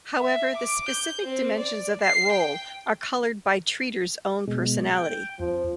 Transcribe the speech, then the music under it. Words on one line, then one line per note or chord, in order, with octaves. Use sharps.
However, the specific dimensions of that role are colored by treater's own personality.
E5
D6
G6
C4
D5
C7
G5
B2 G#3
G5
F2 F3